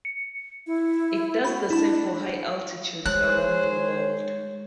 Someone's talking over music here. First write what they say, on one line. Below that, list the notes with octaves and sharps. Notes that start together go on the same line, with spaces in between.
It does the same for high altitudes around the world.
C#7
E4
F#4 B5
D4 E4 B5
G#3 G#4 C5 C#5 F#6